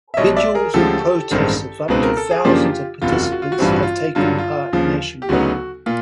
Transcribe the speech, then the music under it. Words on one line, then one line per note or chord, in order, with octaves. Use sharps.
Vigils and protests of up to thousands of participants have taken part nationwide.
E5
B1 B2 G3 C#5 D#5
D5 E5
G#4 A#4
D2 C#3 F3 G#3 G4 A4
A1 G2 D#3 G#3 C4
C#2 B2 G#3 C4 D#4 B4
A#4
A4
G#4
F#2 C#3 F3 A#3 D4 F4 G4
F#1 E2 C3 F4
F#4
F4
F#4
F4
F#4
A1 G2 E3 G3 C4 F4
F#4
F4
G2 D3 F#3 F4
F4
D#2 C#3 F3
G4
D2 C#3 F#3 B3 D#4 F#4
A#2 F4